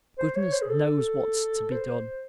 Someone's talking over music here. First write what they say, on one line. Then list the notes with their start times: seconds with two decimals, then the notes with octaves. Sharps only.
Goodness knows what's to be done.
0.19 C5
0.36 C#5
0.53 C5
0.62 G#4
0.69 A4
1.71 C5